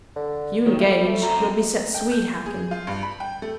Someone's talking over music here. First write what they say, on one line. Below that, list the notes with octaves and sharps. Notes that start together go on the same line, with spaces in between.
If you engage, you'll be set swede-hacking.
D3
D#3 F#3
G3 A3
A3
F#2 C4 A#5
G5
G6
G#4
F4
G2
B5
G5
A3